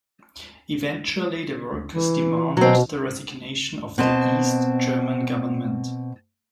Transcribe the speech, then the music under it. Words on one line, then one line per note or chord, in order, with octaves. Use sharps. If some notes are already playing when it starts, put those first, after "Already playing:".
Eventually, the workers demanded the resignation of the East German government.
E3
B2 F#3 C4
B2 C4 D#5 A5